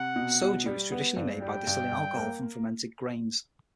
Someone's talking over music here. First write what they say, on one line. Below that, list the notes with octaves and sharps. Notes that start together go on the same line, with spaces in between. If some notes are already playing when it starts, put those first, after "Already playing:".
Soju is traditionally made by distilling alcohol from fermented grains.
Already playing: C3 F#5
B2
B2
G3
B3
G2
G3 G5
G2
G2
A#3